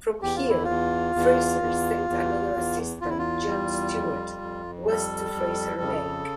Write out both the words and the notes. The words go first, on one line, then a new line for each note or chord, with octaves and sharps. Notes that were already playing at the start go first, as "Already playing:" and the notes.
From here, Fraser sent another assistant John Stuart west to Fraser Lake.
E2 G4
F4
E4
F4
E2
E2
E2
E2
E2
E2 F4
E4
F4
G3
F2
F2
G3 A4
F2
C#3